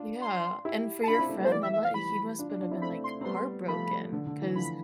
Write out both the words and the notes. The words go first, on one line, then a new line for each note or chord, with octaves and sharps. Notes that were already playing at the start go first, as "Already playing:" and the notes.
Yeah, and for your friend, that m he must been a been, like, heartbroken 'cause
Already playing: D4 F4
C6
E4 G4
A5
D4 F4 B5
C4 E4
A3 C4
G3 B3 C5
F3
E3 D5
E5
E5
F5
E3 G3 B5
D4 F4
D4 F4
D4 F4
C4 E4
A3 C4 B5
C6
C4
G3 B3 C6
F3 A3 B5
D3
D3
E3
D3 F3 B5